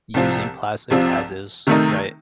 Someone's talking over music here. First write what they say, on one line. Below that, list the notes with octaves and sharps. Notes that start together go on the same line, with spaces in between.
using plastic as is, right?
C2 C3 F3 C4
C2 C3 F3 C4
C3 D#3 A3 D#4